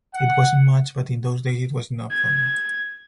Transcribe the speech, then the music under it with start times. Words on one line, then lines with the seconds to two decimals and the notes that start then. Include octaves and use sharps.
It wasn't much but in those days it was enough for me.
0.14 F#5
2.10 G#6